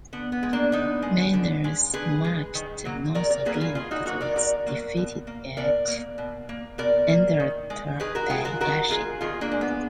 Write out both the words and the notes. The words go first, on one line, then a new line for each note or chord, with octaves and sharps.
Menas marched north again, but was defeated at Enderta by Yeshaq.
D3 B3
B3
G#3
A#3 D4
D3 B3 D#4
G#3
D3
G#3
D3 G#4 B4
G#3
D#3
F#3 A#3
D#3 A#4 D5
A#4 D5
F#3 A#3 G#4 B4
A#4
F4 G#4
D#3 F4 G#4
D#4 F#4
F#3 A#3 F#4 A#4
A#4 D5
D#3 A#4 D5
F#3 A#3
B2
A#3
B2 A#4 D5
A#3
B2
A#3
B2 A#4 D5
A#3
D#3
G#3
D#3 G#4 B4
F#4 A#4
G#3 F4 G#4
F#4 A#4
D#3 F#4 A#4
G#3 F4 G#4
D#3 F4 G#4
A#3 D4
G#3
B3